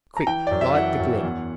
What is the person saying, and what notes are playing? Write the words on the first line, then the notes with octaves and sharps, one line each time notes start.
Quick, light the glim!
A#5
E3 G5
F#2 D5
E5
E3 F#5
F#2
E2